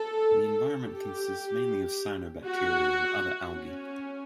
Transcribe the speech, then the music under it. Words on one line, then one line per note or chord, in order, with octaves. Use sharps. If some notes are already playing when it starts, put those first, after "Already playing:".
The environment consists mainly of cyanobacteria and other algae.
Already playing: A4
G4
F#4
C#4